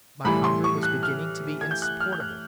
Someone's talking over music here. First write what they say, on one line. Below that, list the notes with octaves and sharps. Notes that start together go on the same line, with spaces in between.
My hunger was beginning to be insupportable.
A2 E3 G3 B5
C6
C#6
F#6
F6
G#6
G6
F#6
F6
G6
F#6